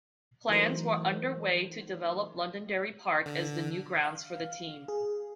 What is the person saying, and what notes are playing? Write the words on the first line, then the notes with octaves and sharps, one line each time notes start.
Plans were under-way to develop Londonderry Park as the new grounds for the team.
E3 F#3 A3 D#4 A#4 C5
D3
F5
G#4